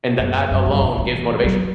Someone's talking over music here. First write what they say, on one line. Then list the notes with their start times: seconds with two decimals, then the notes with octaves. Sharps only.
And that alone gives motivation.
0.19 F#2
0.51 F#2
0.66 G2
0.81 D#3
0.98 E3
1.44 F#3